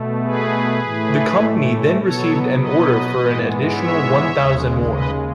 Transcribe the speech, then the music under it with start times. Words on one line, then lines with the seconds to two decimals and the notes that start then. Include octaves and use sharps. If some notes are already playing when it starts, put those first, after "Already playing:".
The company then received an order for an additional one thousand more.
Already playing: B2 A3
0.23 G#4 B4
0.81 A2 E3 A3
1.98 B2 F#3 B3 A4 C#5
2.56 B4 D#5
3.15 G#2 E3 G#3 B3
3.73 C#5 E5
4.32 D#2 C#3 G#3
4.90 B4 D#5